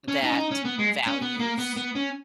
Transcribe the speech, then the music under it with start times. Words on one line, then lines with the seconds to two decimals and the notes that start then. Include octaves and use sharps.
that values
0.08 C#4
0.23 D#4
0.32 C#4
0.37 D#4
0.51 C#4
0.65 B3
0.79 G#3
1.07 C#4
1.22 B3
1.39 A#3
1.58 B3
1.76 B3
1.95 C#4